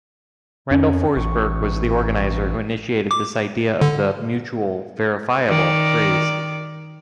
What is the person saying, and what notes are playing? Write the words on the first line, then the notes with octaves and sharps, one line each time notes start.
Randall Forsberg was the organizer who initiated this idea of the "mutual, verifiable" Freeze.
F2 C#4
A1 C#6
D6
D3
D#3 D5